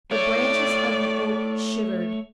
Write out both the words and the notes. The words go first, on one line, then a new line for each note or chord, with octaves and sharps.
The branches of the oak shivered.
A3 C#5 D5